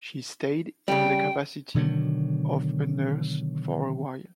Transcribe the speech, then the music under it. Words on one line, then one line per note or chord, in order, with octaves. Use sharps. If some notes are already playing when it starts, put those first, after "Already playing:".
She stayed in the capacity of a nurse for a while.
C#3 G3 G5
B2 D3 D#3 F#3